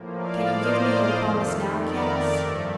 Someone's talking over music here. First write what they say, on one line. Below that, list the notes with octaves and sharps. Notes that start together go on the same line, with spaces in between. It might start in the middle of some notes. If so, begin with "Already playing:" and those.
"Can you give me your promise now, Cass?"
Already playing: A2 F3 A#3
D5 F5
C5 D#5
F2 D#3 A3
A#4 D5
G2 F3 A3